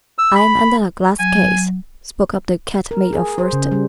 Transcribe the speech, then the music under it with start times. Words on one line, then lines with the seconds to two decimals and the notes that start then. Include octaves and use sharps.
"I am under a glass case," spoke up the Cat-made-of-worsted.
0.18 E6
0.36 B5
1.19 F#3 G#5
2.91 A#4
3.13 G#4
3.38 C5
3.53 C#3
3.71 G3